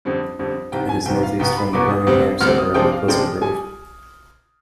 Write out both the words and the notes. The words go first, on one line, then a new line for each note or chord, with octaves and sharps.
It is northeast from the Birmingham suburb of Pleasant Grove.
F2 D3 G3 C4
F2 D3 G3 C4
C2 C3 D#3 G5
G#5
C2 C3 D#3 G5
F5
C2 B2 B3 G5
B5
C2 B2 B3 D6
D#6
D2 C3 G3 C4
D2 C3 G3 C4 F6
D#6
C3 F3 G#3 D4 G5
F5
C3 F3 G#3 D4 G5
G3 G#5